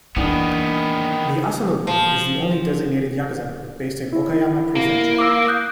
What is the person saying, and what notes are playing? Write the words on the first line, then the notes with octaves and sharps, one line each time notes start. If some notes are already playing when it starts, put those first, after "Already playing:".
The Asano-gumi is the only designated yakuza group based in Okayama Prefecture.
E2 D#3 A#3 B3 D4 D#6
F3
E4
A#3
D6 E6
D#6 F#6 G6